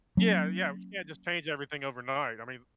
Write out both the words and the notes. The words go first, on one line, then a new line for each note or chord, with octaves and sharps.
Yeah, yeah, we can't just change everything overnight. I mean,
F#3 A#3 C#4